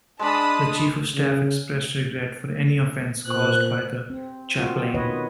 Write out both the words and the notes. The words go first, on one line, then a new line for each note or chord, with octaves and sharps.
The Chief of Staff expressed regret for any offence caused by the chaplain.
G#3 D4 A5 B5 D#6
C#3
A#2 C5 F#6
C4
C4 F4 F#4
B2 D#3 B4 C#5 D#5